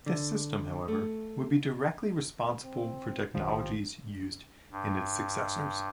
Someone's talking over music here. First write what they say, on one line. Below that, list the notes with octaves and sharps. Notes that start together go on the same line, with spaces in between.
This system, however, would be directly responsible for technologies used in its successors.
D3
A3
C4
A#1 B2 D#3 F3 G4
G2